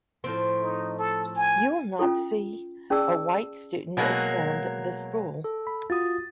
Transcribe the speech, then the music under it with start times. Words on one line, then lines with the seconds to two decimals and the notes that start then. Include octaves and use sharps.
You will not see a white student attend the school.
0.24 A2 F3 C4
0.61 D#4
0.98 A4
1.36 G#5
1.99 C#4 F4 A4
2.90 C#4 G#4 D5 A5 E6
3.97 B2 F#3 G#3 A#3
5.44 A4
5.67 B5
5.90 F4 F#4 D#6 A6